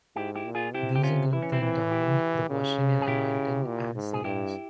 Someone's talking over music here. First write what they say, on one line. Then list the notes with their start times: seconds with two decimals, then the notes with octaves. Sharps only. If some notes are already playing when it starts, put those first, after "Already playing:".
These include the endowment, the washing and anointing, and sealings.
0.16 G#2 E4 G4
0.35 E4 G4
0.45 A#2
0.55 F4 G#4
0.74 C3 E4 G4
0.96 G4
1.03 C#4 F4
1.33 E3 E4
1.42 C#4
1.52 C4 E4
1.62 E3
1.91 E4 G4
2.49 C#3
3.01 G#4
3.08 E4 G4
3.67 A#2
3.95 G#2
4.13 G#4
4.24 G2 E4 G4